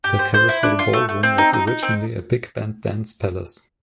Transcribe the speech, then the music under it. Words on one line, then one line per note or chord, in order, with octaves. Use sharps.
The Carousel Ballroom was originally a big band dance palace.
G4
C5
C5
E4
D4
F4
A3
A3
C4
D#4
D#4
D#4
C4